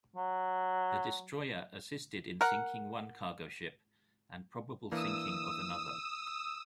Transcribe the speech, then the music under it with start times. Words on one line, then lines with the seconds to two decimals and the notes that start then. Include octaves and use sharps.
The destroyer assisted in sinking one cargo ship and probable sinking of another.
0.16 F#3
2.41 A#4 F#5
4.92 E3 A#3 D4 D#6 E6